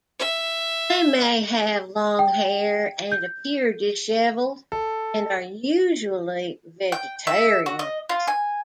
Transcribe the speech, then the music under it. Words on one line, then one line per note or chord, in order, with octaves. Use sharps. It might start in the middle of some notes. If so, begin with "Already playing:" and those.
They may have long hair and appear disheveled, and are usually vegetarians.
E5
G5
G6
A4
G5
E5
F#4
D#5
F4
G#5